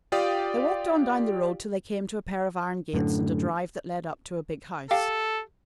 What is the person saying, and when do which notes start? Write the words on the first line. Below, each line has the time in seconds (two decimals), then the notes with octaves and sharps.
They walked on down the road till they came to a pair of iron gates and a drive that led up to a big house.
0.12 F4 G4 D5 F5 G5 D#6
2.94 F#2 A2 D3
4.91 G4 A4 F5 G5